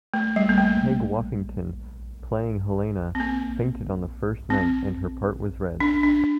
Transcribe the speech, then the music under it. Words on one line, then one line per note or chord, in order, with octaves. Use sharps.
Peg Woffington, playing Helena, fainted on the first night and her part was read.
A3
G3
A#3
A3
C4
A#3
C4
D4
D4